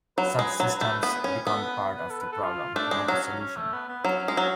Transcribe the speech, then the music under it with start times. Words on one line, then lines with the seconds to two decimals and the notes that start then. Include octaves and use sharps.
Such systems become part of the problem, not the solution.
0.18 F#3 B4
0.39 G#3
0.60 F#3
0.81 A3
1.03 B3
1.24 C#4
1.46 B3 A4
1.63 B4
1.95 B4
2.10 A4
2.21 B4
2.32 A4
2.43 F4
2.75 A3 D4
2.91 G#3
3.08 F#3 C#4
3.40 C#4
3.56 A3
3.73 B3
3.89 B3
4.05 F#3 C#4
4.28 G#3
4.37 F#3